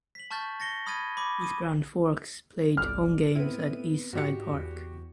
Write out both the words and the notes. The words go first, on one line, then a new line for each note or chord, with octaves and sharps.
East Brand Forks played home games at East Side Park.
B6 F#7
A5 C#6 F6 G6 A6 B6
A6 A#6 C#7 G7
B5 D#6 F6 G#6 A6 D#7
B5 D6
D#6 D#7
G1 C2 D5 F6
A2 B3 C4 E4 D#7
G#2 F#4 G4 C#7
E2